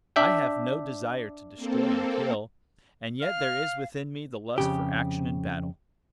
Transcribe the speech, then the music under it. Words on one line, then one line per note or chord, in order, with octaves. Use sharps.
I have no desire to destroy and kill, and yet there is within me the lust for action and battle.
D4 E5 G5
A#3 C4 A4
F5 F6
F2 C#3 G4